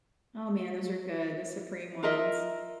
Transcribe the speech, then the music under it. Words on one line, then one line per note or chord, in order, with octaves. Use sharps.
Oh, man, those are good, the supreme ones.
F4 A#4 D#5 E5